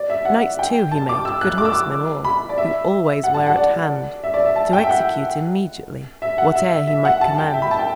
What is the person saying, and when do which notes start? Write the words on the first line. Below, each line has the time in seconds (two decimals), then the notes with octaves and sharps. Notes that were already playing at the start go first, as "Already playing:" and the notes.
Knights, too, he made, good horsemen all, Who always were at hand To execute immediately Whate'er he might command.
Already playing: D5
0.10 E5
0.25 F#5
0.59 G5
0.91 A5
1.09 D6
1.25 E6
1.41 F#6
1.58 D6
1.65 E6
1.73 D6
2.24 B5
2.49 D5
2.58 E5
3.24 F#5
3.34 A5
3.46 F#5
3.57 D5
4.24 E5
4.34 D5
4.46 E5
4.56 A5
4.73 G5
4.84 E5
4.89 F#5
6.22 E5
6.38 F#5
6.55 E5
6.87 E5
7.05 F#5
7.21 A5
7.38 G5
7.54 E5
7.62 B5
7.71 A5
7.79 G5